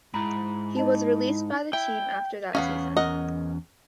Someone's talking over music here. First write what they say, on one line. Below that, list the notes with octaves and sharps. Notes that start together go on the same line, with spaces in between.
He was released by the team after that season.
G#2 E4 A#5 B5
D#4 D#5 A5
E4 G5
E2 B3 C#4 D#5 F5
A#4 D#5 F#5